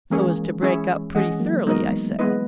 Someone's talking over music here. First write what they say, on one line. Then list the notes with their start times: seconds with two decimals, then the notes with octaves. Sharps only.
"So as to break up pretty thoroughly?" I said.
0.10 E3 G#3 A#3 C#4 G#4 C#5
0.62 C#4 E4 G#4 C#5 E5
1.14 E3 G#3 C#4 G#4 D#5 F#5
1.40 F#3 A#3
1.66 G#3 B3 D#4 F#4 A#4 D#5
2.19 G#3 B3 E4 B4 D#5